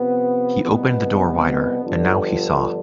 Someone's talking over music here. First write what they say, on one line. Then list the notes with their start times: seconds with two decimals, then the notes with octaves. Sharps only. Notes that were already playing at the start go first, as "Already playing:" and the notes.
He opened the door wider, and now he saw.
Already playing: C3 F3 B3
0.63 C2 B2 B3
1.82 G1 G2 D3 F3